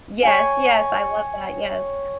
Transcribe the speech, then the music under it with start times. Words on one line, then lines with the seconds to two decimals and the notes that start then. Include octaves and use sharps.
Yes, yes, I love that, yes.
0.23 C#5 G5 G#5